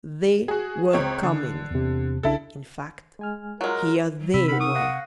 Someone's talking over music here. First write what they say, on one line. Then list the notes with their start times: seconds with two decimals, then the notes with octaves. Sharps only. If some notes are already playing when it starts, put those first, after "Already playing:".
"They" were coming--in fact, here "they" were!
0.48 F#4 G#4
0.93 C#2 C4 C#5
1.23 D3
1.71 E2 C3
2.23 B1 C#3 D4 E4 A4
3.19 G#3 G#5 F6
3.61 F#3 G#3 F4 A#4
4.21 F#3
4.34 C3 B5 E6
4.48 D#4 A#4 F#5 B5
4.60 C#6 D#6
4.75 F5 F#5 F#6 A#6